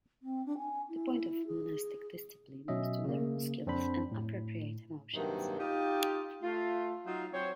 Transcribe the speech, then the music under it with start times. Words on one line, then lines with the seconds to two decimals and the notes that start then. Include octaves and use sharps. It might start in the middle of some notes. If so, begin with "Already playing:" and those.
The point of monastic discipline was to learn skills and appropriate emotions.
0.22 C4
0.45 D4
0.57 G#5
0.88 E4
1.47 G#4
2.68 B2 F#3 C#4 D#5 E5
3.04 C#3 A#3
3.67 F2 C4 D4 C5 B5
4.12 A2
5.15 G2 C3 D#3 F#3 A#3
5.59 D#4 F4 G4
6.42 A3 F4
7.06 F#3 D#4 F4
7.33 F#3 C4 C5 C#5